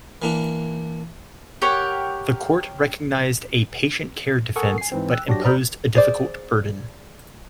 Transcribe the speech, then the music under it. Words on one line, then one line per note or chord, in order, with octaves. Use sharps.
The court recognized a "patient care defense," but imposed a difficult burden.
E3 A#3 D4
G4 A#4 C#5 F#5
A4 A#4 F#5 G#5 C#6 D#6
G#5 C7
G#2 E3 C4
G5 E6 F#6
F#3 D4 F#4 G4 A#6
C5 D5 A#5 B5 F6 G6
G#4 C5 D5